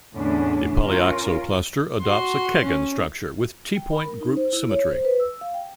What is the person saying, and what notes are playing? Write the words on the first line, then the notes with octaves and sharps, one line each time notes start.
The polyoxo cluster adopts a Keggin structure, with T point group symmetry.
E2 A2 D3 C#4 D4
C#4 F4 A#4
F#4 C6
C#4
G5
B5
A#4
D#4
C5
E4
C#5
C5
B4
E6
F5
G5